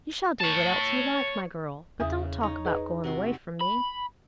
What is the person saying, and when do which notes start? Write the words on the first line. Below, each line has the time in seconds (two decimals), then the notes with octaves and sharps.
'You shall do what else you like, my girl, but don't talk about goin' away from me.
0.41 C#5 A5
2.00 E2 C#3 E5 D#6
2.41 D#4 C#5
2.65 G#4 B4 D#5
3.04 C3 F#4 C6
3.61 B5